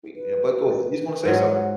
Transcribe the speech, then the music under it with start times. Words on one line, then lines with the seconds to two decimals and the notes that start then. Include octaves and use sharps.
We you know but go ahead, you was gonna say something?
0.16 B4
1.25 G#2 F#3 F#5